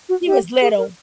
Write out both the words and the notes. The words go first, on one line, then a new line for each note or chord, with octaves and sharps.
He was little.
F#4
G4
G#4
A#4